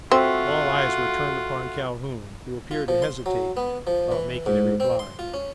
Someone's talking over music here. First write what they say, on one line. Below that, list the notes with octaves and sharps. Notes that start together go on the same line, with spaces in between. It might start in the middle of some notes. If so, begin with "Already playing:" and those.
All eyes were turned upon Calhoun, who appeared to hesitate about making a reply.
C4 F4 F#4 A4 E5 F#5
F4
F3
C6
F#3
B3
F3
E3
G#2
C4
C6
F4
C#4